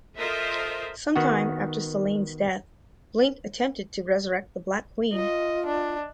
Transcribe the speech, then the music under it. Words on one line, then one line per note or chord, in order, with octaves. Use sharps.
Sometime after Selene's death, Blink attempted to resurrect the Black Queen.
F4 A4 A#4 C5 D#5 E5
D#3 B3 F#4
F4 D#5
D4